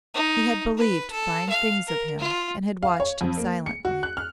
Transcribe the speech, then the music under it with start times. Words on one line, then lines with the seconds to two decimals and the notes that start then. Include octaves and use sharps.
He had believed fine things of him and had watched him silently.
0.14 D#4
0.77 B4
1.11 A4
1.49 F5
1.86 A#4
2.19 F4
2.83 F5
3.00 C#5
3.21 F2
3.37 A#3
3.66 C#7
3.85 F#4
4.03 F#6
4.17 F6